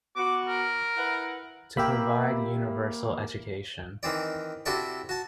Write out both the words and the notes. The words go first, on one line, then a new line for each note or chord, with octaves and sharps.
To provide universal education.
B3 F#4 D6
A#4
E4 B4 F#5
A#3 G4 E5 B5
D#3 E3 C4 D5
C3 E4 F#4 A4 D5 C#6
F#4 A5